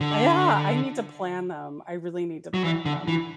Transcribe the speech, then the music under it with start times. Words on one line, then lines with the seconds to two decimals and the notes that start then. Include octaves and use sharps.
A yeah. I need to plan them, I really need to plan them.
0.01 D3
2.54 F#3
2.64 E3
2.86 D3
3.08 E3